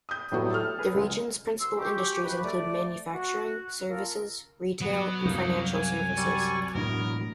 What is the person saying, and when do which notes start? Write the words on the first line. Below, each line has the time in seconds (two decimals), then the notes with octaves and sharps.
The region's principal industries include manufacturing, services, retail, and financial services.
0.09 D#6 G6
0.32 A2 F#3 G3 B3 F#4
0.50 A4 F6
0.79 G#4 B4 G#5
0.95 C#2 G#3
1.60 C2 C6 E6
1.75 G#3 F#4 G4
2.24 D#2 F#4 B4
2.43 A3 D5
3.14 F#4
3.90 A#3 F4 A4 A#4
4.81 F#3 B3
5.25 C2 F#2 A#3 D#4
5.75 G#5
6.17 G3 D5 C#6
6.75 E1 A2 B3 D4 A#4